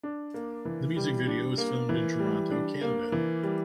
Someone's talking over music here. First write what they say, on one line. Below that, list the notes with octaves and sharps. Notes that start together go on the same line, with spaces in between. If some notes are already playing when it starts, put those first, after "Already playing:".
The music video was filmed in Toronto, Canada.
D4
A#3
E3
G3
D4
A#3
E3
G3
D4
A#3
E3
G3